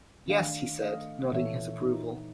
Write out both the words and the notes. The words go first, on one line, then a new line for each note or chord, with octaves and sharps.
"Yes," he said, nodding his approval.
D#3 A3 D4 F5
A3 D#5 F5
A#2 E3 D#4 A4 C#5 E5
D#4